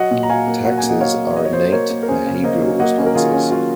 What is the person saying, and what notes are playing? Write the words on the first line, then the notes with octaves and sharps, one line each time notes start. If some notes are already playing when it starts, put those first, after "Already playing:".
Taxes are innate behavioural responses.
Already playing: F#3 D#5 F#5
A#2
A#5
F#3 F5 G#5
A#3
F#3 F#5
G#5
A#3
D#5 F#5
F#3 C#5 F5
F#3
A#3 D#5
C#5
F#3 C5 D#5
A#3 A#4 C#5
A#3
A#4
C#4 G#4 C5
C#3
A#3 C5 D#5
F#3
A#3 D#5 F#5
C#4
A#4
D#3 F4 G#4
C#4
F#3 F4